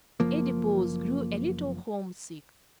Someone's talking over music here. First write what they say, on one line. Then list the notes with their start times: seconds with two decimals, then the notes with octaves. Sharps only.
Adipose grew a little home-sick.
0.20 F#1 F3 A#3